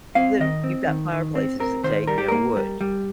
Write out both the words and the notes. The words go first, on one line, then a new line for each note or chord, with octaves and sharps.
Well then, you've got fireplaces that take, you know, wood,
C4 F5
D#3 D#5
C4
D#3
D#3
C4
C4 A#4
D#3 C5
G3 A#4
G4
A#3 A#4
G3
G3